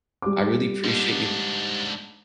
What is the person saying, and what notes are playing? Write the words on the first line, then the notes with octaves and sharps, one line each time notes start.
I really appreciate you
G3 D6
G#2 D4